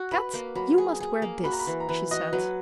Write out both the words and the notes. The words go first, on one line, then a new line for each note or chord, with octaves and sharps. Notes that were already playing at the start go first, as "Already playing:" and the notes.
"Kat, you must wear this," she said.
Already playing: F#4
B4 B5
A#3
F#3 B5
G#4
G#4
A#3
F#4 B5
A#5
B5
E3
A#5
E3 B5
F#4 D#5
F#3 B4